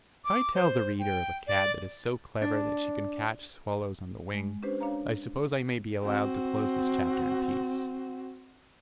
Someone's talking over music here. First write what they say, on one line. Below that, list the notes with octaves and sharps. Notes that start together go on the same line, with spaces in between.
If I tell the reader of a cat that is so clever that she can catch swallows on the wing, I suppose I may be allowed to close this chapter in peace.
D6
C5
G5
D5
D4
G#3
C#4 D4 G4 B4 C5
D4 C#5 F5 A#5
C4 F#4